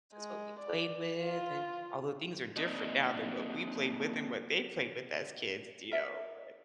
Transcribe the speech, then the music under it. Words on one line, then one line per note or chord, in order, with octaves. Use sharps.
this is what we played with," and although things are different now than what we played with and what they played with as kids, do you know, but,
G#3
D5
F4
A#3 C4 D4 D#4 F#4 D#5
A#4 E5